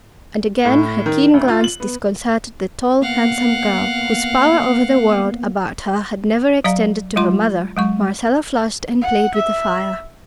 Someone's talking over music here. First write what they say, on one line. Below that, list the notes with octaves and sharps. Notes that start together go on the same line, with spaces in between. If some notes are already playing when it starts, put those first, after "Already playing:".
And again her keen glance disconcerted the tall handsome girl, whose power over the world about her had never extended to her mother. Marcella flushed and played with the fire.
A2
D#3
D2
F4
F#7
B3
A#3 B3 F5 F#5
F#3 D5 F5 A#5
F#3 G#3 F4 C6
F#3 G#3 C#6
F#5
E5